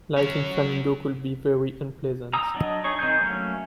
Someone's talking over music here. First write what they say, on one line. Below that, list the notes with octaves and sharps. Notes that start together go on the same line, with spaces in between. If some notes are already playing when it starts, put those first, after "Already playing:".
Life in Flamingo could be very unpleasant.
F#3 C#4
A#5 D#6 E6
F#3 D4 D#5
D#4 G#4 C#5 C#6
D#3 C4 D#4 G#4 G6
F#3 A3 A#3 C#4